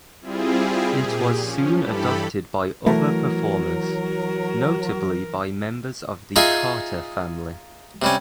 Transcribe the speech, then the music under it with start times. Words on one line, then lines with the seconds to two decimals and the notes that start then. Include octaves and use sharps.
It was soon adopted by other performers, notably by members of the Carter Family.
0.22 G3 C4 E4 F4 G#4
0.92 A#2 G4 G#4
1.39 F3 C#4
1.77 G2 E3 G4 A4 B5
2.86 E3 F#3 A3 A#4
6.36 D#4 F4 G#4 D#5 E5 G#5
8.02 C3 G3 C#4